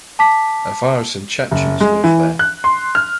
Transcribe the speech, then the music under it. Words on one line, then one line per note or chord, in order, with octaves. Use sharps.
Avars and Chechens live there.
A5 D6 B6
F#1
G#3
E3
F#6
C6
F6